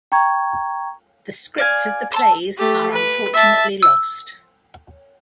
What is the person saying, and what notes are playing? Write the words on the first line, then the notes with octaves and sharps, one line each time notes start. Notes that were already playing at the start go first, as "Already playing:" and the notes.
The scripts of the plays are unfortunately lost.
G5 A#5 C#6 G#6
D5 F5 G#5
A5 C6 E6
A3 G4
B4
E5 A5
E6